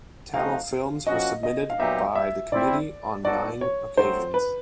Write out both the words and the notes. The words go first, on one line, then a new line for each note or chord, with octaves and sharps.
Tamil films were submitted by the committee on nine occasions.
F3 A3 C4 D#4 F#4 F5
F3 A#3 C#4 F#4 D#5
D#5
F5
A#2 F#3 B3 D#4 G4 E5
E5
G3 C4 E4 D5
F#3 B3 D#4 F#4 A4 D5
C#5
F#3 A3 C4 C5
B4